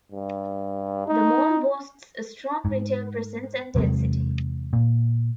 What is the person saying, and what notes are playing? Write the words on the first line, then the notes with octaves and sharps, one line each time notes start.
The mall boasts a strong retail presence and density.
G2
D#4
G#2
E2 C3 F#3 G#3
A#2